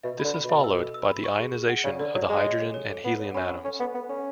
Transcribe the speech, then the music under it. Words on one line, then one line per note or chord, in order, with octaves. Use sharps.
This is followed by the ionization of the hydrogen and helium atoms.
B2 E5
D3 B5
B5
B2 E5
E6
A4
E6
B5
C#6
G#4
G#4
F#5
C#3 D5
D3 D5
F#3 D5
G#3 G#4
C#5
A4
C#5
A4
B3 F#5
C#5
C#4 B5
F#5
C#4 A4
B3 A4
B3 A4
C#4 A4